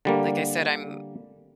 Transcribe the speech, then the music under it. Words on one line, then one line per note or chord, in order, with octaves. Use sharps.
like I said, I'm
D3 G3 A#3